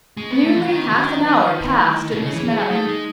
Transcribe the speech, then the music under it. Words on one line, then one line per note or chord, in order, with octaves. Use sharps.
Nearly half an hour passed in this manner.
G#3 C#4
F#3 B3
A3
E3 C#4
D#3 C#4
E3 F#4
D#3
F#3
B4
B4
E4
A3
E4
E4
B2
C#3 C#5
E3
G#4
E3
F#3 G#4
A3 D#4
G#3 D#4